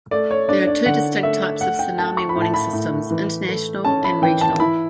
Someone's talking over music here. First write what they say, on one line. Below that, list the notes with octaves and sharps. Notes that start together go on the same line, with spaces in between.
There are two distinct types of tsunami warning systems: international and regional.
A3 D5
C#5
D4 D5
D5
D3 F#5
A3 E5
A3 F#5
G5
A3 A5
C#6
B5
A2
A5
B5
A2
E3
A3
C#4 A5
B5
E3 G5
A5
E4 B5